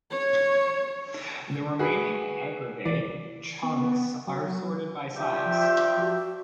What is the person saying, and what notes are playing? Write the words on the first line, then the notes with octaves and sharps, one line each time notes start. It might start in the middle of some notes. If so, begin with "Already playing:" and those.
The remaining aggregate chunks are sorted by size.
C#5
F#4 G#4 B4
E3 D5
B3
F#3
G2 F4 G4 D5 E5
F3
F#4